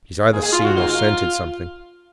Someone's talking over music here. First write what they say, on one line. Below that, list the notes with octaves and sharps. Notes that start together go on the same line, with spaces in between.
He's either seen or scented something.
G#2 D#3 A#3 G#4
G#4
F4
F#4
G#2 D#3 A#3 F4